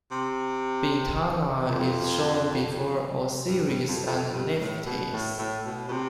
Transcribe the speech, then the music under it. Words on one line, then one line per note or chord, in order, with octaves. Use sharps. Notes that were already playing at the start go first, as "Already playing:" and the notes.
Bintanath is shown before Osiris and Nephtys.
C3
F2
G2
G2
F2
F2
G2
A2
B2
A2
A2
B2
B2
C3